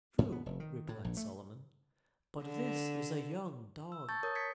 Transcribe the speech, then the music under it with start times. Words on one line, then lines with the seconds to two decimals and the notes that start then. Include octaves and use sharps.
"True," replied Solomon, "but this is a young dog."
0.18 G#2
0.32 B3
0.46 F1
0.60 D#3
0.89 A2
1.05 A#1
1.17 A3
2.43 D3
3.92 E6
4.09 A5 C#6 G6 A6
4.23 A#4 C#5 D#6 G6
4.35 G#6 B6 C#7